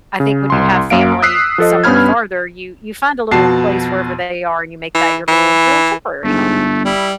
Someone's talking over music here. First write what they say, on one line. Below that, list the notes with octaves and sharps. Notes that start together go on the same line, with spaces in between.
I think when you have family somewhere farther, you you find a little place wherever they are and you make that your little your little temporary home.
C#3
C2 C6
F#2 A#3 F5 D7
D#6 E6 F#6 B6 C7
F3 A4 D#5
G2 B3 C#4 B5 F6 G#6
F2 B2 F#4 A5 C7
E3
E3
G1 G#2 A3
G3 E4